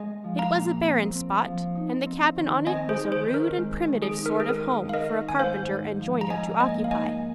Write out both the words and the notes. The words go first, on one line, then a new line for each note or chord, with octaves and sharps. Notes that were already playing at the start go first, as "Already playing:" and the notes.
It was a barren spot and the cabin on it was a rude and primitive sort of home for a carpenter and joiner to occupy.
Already playing: G#3 D#5 G#5
F3
F5 A#5
A#2
C4
C4
F3
D#4
C4
D#3
C4 D#5 G#5
G#4 C5
D#3
G#4 C5
D#3
A#4
G#3
D#3
G#4
D#4
A#4
G#4
G#3 A#4
D#4
F5
A#4 D#5
D#3
G#5
G#2 C5 F5
D#4
F3
A#5
G#2 D#5 G#5
A#3 D#5 G#5
F5
D#4 D#5 G#5